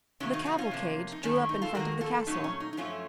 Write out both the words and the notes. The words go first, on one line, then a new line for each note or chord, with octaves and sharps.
The cavalcade drew up in front of the castle.
C3 D#3 F#3 A#3 C#4
D#4
D#4 F#4
C#4 F4
C3 F3 A#3
D#4
F#2 D#3 A3 C#4
C#4
D#4
F4 A4
F2 D#3 A#3 F#4 A#4
F4 A4
A#2 F#3 A3 C#4 D#4
C#4
D#4
D#4
F#2 F3 A3 C#4 F4